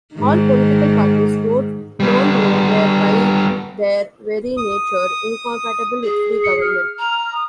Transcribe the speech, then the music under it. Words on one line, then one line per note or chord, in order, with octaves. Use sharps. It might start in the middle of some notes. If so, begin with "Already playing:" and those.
All political parties, wrote Monroe, were by their very nature, incompatible with free government.
G#2 D#3
G3 B3
D#6
G#4
C#7
F6
A#5
D#6